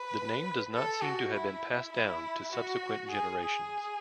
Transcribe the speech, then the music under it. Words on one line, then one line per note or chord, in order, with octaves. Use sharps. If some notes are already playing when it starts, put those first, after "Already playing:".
The name does not seem to have been passed down to subsequent generations.
Already playing: B4
A4
F#4
E4
E4
F#4
G#4
G#4